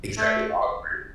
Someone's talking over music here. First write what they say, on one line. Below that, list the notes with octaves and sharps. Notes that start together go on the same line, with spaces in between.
exactly, awkward.
A3